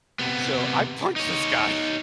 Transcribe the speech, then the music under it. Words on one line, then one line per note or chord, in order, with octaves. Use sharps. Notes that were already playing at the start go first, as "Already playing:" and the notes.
So, I punched this guy,
C3 B3
D#4 C#5